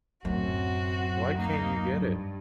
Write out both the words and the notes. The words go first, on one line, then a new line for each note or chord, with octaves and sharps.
Why can't you get it?
D1 F#2 C4 F#4
A#3 D#4
G2